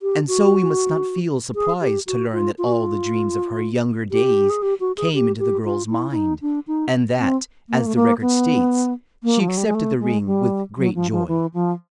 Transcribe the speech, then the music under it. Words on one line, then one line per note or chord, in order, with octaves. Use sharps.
And so we must not feel surprised to learn that all the dreams of her younger days came into the girl's mind, and that, as the record states, "she accepted the ring with great joy."
G4
F#4
G#4
G4
F#4
F4
F4
F#4
F4
G4
G#4
G4
F#4
G#4
G4
G4
F4
E4
E4
D#4
D4
D#4
C4
A#3
A3
A#3
B3
A#3
F3
F#3
G3
G#3
A3
G#3
G3
F#3
F3
F3
E3
F3